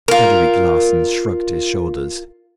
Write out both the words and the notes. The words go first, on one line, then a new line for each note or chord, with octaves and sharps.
Frederic Larsan shrugged his shoulders.
F4 A#4